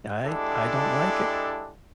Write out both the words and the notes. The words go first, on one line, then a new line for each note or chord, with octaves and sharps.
I I don't like it.
G#3 D4 E4 G4 A4